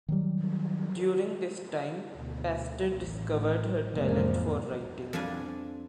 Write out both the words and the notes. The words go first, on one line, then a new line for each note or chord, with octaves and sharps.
During this time, Pastor discovered her talent for writing.
D#3 F#3 G3
D2 B2
A1
A1 F2 C3 F3 G#3 A#3
F2 G3 C4 D4 G#5